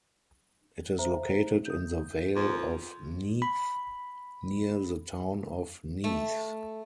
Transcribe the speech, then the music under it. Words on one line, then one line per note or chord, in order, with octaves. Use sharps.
It is located in the Vale of Neath near the town of Neath.
C5 E5 A#5
D#6 G6
F2
B5
A3